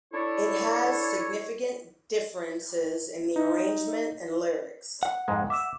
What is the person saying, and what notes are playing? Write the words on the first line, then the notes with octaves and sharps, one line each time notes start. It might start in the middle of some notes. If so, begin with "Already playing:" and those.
It has significant differences in the arrangement and lyrics.
D4 E4 A4 C#5
D#4
F#5
F2 G#2 G#3
E5 D6 E6 E7